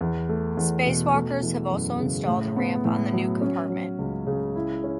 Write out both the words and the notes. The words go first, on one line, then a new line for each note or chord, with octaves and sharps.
Spacewalkers have also installed a ramp on the new compartment.
E2
A3
E2
B2
A3
E3
F#2
C#3
A2
B3
A2
F#3
C#4
F#3
C#2
C#3
E4
C#4